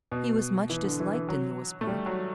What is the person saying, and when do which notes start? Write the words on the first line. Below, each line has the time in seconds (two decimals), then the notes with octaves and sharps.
He was much disliked in Louisbourg.
0.12 B2
0.70 E3
0.84 D3
1.00 E3
1.14 E3
1.29 F#3
1.81 A3
1.87 G3
2.06 F#3